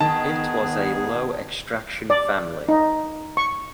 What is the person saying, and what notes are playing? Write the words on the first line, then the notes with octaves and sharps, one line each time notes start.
It was a low-extraction family.
D#3 B3 G#4 A5
D5
D#4
C#6